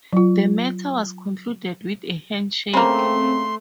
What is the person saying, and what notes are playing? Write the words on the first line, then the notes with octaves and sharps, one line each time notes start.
The matter was concluded with a handshake.
F#3 F4
C#3 A3 A#3 C4 C6